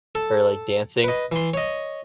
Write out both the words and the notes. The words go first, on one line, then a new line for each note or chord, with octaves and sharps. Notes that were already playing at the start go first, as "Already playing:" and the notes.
are, like, dancing.
A4
B4 D#5
E3 C6
C#5 D#5